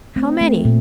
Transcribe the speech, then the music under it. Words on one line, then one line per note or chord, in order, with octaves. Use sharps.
How many?
A3 C4
A3
A#2